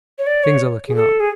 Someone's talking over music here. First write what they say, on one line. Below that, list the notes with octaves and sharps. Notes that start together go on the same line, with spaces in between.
Things are looking up.
C#5
D5
C#5
G#4
A4
G#4